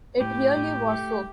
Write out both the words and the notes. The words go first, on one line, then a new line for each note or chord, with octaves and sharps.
It really was so.
A2 G4
A2
A3